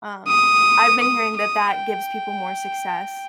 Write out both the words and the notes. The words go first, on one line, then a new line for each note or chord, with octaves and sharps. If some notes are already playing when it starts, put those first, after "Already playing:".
um, I've been hearing that that gives people more success,
D#6
D#6
D#6
G5